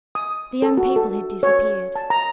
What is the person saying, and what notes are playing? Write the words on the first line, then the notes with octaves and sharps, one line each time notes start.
The young people had disappeared.
D#6
A4
F#4
A4
C#5
A5
A#5